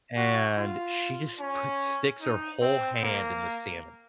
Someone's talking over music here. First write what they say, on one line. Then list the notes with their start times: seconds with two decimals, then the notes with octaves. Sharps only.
And she just put sticks her whole hand in the salmon
0.17 F#4
0.57 F4
1.39 C#4
2.21 D#4
2.62 C4
3.03 A#3